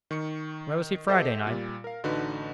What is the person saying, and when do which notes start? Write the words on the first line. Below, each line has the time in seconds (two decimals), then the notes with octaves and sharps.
Where was he Friday night?
0.11 D#3 C#6 C#7
1.08 G4 A4 C5 D#5 E5 F#5
1.47 A#2 G3
1.84 A#4 F5
2.04 A1 D3 D#4 F#4 B4